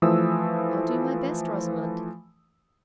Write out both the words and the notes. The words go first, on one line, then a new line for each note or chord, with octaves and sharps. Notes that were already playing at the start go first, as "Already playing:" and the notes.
'I'll do my best, Rosamond.
E3 F3 A3 D#6 E6